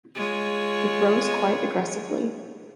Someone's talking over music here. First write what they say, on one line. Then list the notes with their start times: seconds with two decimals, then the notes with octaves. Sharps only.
It grows quite aggressively.
0.15 G#3 F4 C#5